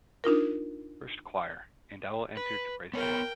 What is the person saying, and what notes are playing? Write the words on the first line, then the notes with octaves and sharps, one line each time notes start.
First choir: And I will enter to praise the Lord.
D4 D#4 F4 A#4
B4
B3 A#4 C#5 G5